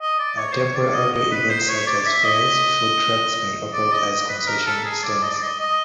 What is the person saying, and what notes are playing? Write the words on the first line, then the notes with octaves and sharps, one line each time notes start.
At temporary outdoor events such as fairs, food trucks may operate as concession stands.
D#5
D5
C#5
C5
C#5
D5
D#5
D#5
B4
C5
C#5
D5
E5
D#5
D5
D#5
D#5
B4
A#4
A4
G#4
D5
D#5
D5
D#5
D#5